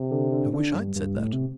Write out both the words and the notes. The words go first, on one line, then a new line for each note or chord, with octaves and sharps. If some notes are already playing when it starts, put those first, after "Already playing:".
"I wish I'd said that."
Already playing: C3
D3
D3
D3
G2
G2
A2
C3